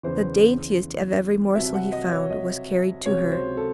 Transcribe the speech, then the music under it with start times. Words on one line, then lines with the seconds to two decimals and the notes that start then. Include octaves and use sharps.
The daintiest of every morsel he found was carried to her.
0.03 E2 C#3 E3 C5
1.55 C2 C3 F#3 E5
1.74 F#5
1.92 D#5
2.11 C#5
2.30 D#5
3.06 C#2 C3 F#3 C#5
3.32 C5
3.57 A4